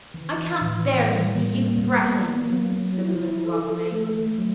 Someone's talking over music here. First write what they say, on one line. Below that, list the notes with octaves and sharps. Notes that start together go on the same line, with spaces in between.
"I can't bear to see you fretting," said the little robber maiden.
E3
A2
G3
A#3
B3
F#3
E4
A4
A3
F#3